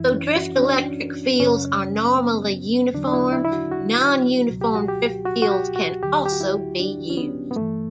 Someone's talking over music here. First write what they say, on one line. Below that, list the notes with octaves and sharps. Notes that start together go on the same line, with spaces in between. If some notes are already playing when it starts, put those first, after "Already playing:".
Though drift electric fields are normally uniform, non-uniform drift fields can also be used.
Already playing: F#2 E3 E4
C#4
F#4
C#4
D4
F#2 C#3 F#3 C#4
B3
E2 D3 F#3 D4
D4
E4
E4
E4
F#4
F#4
C#2 B2 F#3
G4
F#4
G4
F#4
F#4
G4
F#4
D2 D3 F#3 G4
G4
F#4
E4
D4
C#4
B3
B3
G2 E3 A3